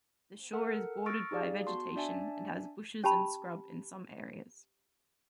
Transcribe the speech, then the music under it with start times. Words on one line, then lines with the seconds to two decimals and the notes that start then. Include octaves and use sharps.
The shore is bordered by vegetation and has bushes and scrub in some areas.
0.53 A4 A#4 F#5
1.06 C#6 E6 F6 A6 A#6 D7
1.31 D#4 G4 G#4 D5 F5
1.67 B3 F#4 A5 C6
1.96 D4 D5 E5 G#5 A5
3.04 C#4 G4 A5 B5